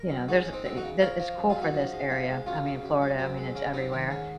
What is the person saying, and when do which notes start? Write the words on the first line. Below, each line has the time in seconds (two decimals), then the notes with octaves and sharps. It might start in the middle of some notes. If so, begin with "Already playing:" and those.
you know, there's the the It's cool for this area. I mean, Florida, I mean, it's everywhere.
Already playing: A#4
0.10 F#2
0.28 G#3 D#4 F#4
0.41 C#4
0.47 G#3
0.53 C4 D#4
0.65 F#2 C4 D#4
0.77 D#4 F#4
0.83 C#3
1.01 F3 A#4 C#5
1.19 F3
1.37 F#2
1.49 F4 G#4
1.56 F#2
1.62 D#4 F#4
1.74 F3
1.92 G#3
2.10 F3
2.28 G#3
2.46 F#2 C#4 F4
2.65 C#3
2.83 F#2
3.01 G#3
3.19 F#2 C4
3.37 G#3
3.55 C#3 C#4
3.74 F#2 C4 D#4
3.92 D#3 C4
4.10 G#2 C#4